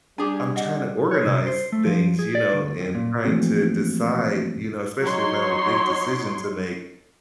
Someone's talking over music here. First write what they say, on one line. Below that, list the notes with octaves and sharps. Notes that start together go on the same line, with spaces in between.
I'm tryna organize things, you know? And trying to decide, you know, especially if I have a big decision to make,
G3 D4 G4 G#4 G#5
D#5 F#5
C#5
C3
C5
A3
F3
G#4
D5
D2
F2
A#2
E3 F3 A3 A#3 C4 F#4
F#3 D#4 C#5 C6